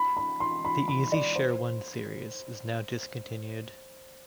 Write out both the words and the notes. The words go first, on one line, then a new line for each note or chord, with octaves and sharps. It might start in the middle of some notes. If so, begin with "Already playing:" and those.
The EasyShare-One series is now discontinued.
Already playing: B5
B5
C6
B5
B5
D5
C5